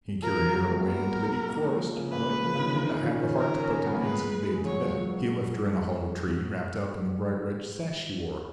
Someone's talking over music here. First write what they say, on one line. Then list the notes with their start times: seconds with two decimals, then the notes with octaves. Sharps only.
He carried her away into the deep forest, but he did not have the heart to put an innocent babe to death. He left her in a hollow tree, wrapped up in the bright red sash he wore.
0.22 F3 A#4
0.39 F3
0.54 F#3
0.70 G#3
0.81 A#3
0.86 B3 A#4
1.49 A#3
1.65 G#3
1.80 F3
1.97 C#3
2.12 A#3 B4
2.28 G#3
2.44 F3
2.55 C#3
2.59 D#3
2.76 D#3
2.92 C#3
3.03 F3
3.07 D#3
3.23 C#4
3.39 A#4
3.55 C#4
3.71 C#4
3.86 B3
3.94 A#3
4.02 G#3 B4
4.55 G#3
4.65 F#3 C#5
4.82 F3
4.97 F#3